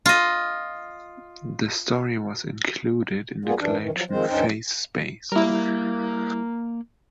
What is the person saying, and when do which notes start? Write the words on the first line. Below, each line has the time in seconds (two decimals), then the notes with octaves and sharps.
The story was included in the collection "Phase Space".
0.06 F4 D#5
3.45 G3 A#3 B3 F4 G#4
3.59 F#2 E3 D4
3.79 F#2 D#3 E3
3.94 F3 F#3
4.10 D#3 F3 G#3 C4 C5
4.28 D2 G2 C#4 D#4 C5 G5
5.32 G3 A#3 E4 A#4